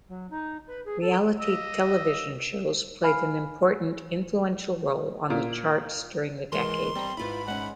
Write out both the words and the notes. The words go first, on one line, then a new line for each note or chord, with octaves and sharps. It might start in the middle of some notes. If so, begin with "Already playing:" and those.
Reality television shows played an important, influential role on the charts during the decade.
F#3
D#4
B4
G#4
A4
D#5 E6
F5 G#5 B5 F6 C7
A#2
G#1 E3 G#3 A#4 C6
G3 C4 A#5
G#2 E4 F4 B4 B5
G#3 C#4 F#5